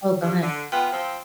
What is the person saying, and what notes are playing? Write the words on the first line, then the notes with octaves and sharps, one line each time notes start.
Oh, go ahead.
G2
D3
G#3 B3 F4 G5
F3 C4